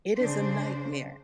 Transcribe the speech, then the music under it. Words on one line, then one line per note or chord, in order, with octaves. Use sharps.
It is a nightmare.
C#3 D4 C5